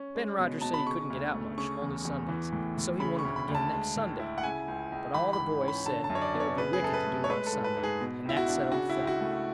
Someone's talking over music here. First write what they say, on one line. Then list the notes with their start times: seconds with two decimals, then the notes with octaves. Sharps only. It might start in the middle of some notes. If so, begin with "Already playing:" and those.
Ben Rogers said he couldn't get out much, only Sundays, and so he wanted to begin next Sunday; but all the boys said it would be wicked to do it on Sunday, and that settled the thing.
Already playing: C#4
0.15 G#3
0.39 B2
0.61 B2 A5
0.74 B5
0.86 C#3 C#6
1.10 D2
1.34 A3
1.58 C#3 C#6
1.82 E2
2.05 E2
2.29 E3
2.52 A2
2.77 A2
3.00 C#3 B5
3.19 C#6
3.25 D2
3.36 B5
3.49 D2
3.55 A5
3.73 G#3
3.96 A2
4.19 E4
4.38 F#5
4.43 C#3 G#5
4.68 C#2
4.92 C#2
5.14 E3 B5
5.33 B5
5.38 G#2
5.62 C#4
5.68 B5
5.86 D3 A5
6.04 A5
6.10 F#2
6.15 C#5
6.22 D5
6.34 B3
6.40 C#5
6.58 C#3 B4
6.73 G#4
6.82 F#2 A4
6.94 B4
7.05 A3
7.24 C#5
7.29 G#3 B4
7.47 A4
7.53 G#2
7.64 B4
7.77 G#2
7.83 G#4
8.01 B2
8.25 C#2 E4
8.37 F#4
8.48 D4
8.72 C#3 F#4
8.89 E4
8.97 C#2
9.07 F#4
9.20 A3